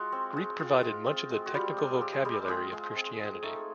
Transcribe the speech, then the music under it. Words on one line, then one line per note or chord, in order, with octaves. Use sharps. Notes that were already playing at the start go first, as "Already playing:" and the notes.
Greek provided much of the technical vocabulary of Christianity.
Already playing: G#3 F4 F#4
C4
G#3
F4
G#3
C4
G#3
F#4
G3 F4 G4
G#3
C4 G4
G#4
G3 G#3 G4
G#3 F4 G#4
G#3
C4
G#3
A3 D#4 A4